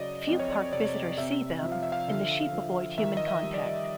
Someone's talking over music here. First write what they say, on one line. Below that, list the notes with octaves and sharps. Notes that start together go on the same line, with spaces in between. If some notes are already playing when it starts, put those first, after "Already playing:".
Few park visitors see them, and the sheep avoid human contact.
Already playing: C#3 F#3 D5 D#5
F2 D5
C#5
D5
C3 D5
C3 E5
F3
F5
E5
F5
D3
F3
D#3 E5
D#5
E5
G3
D5
D#5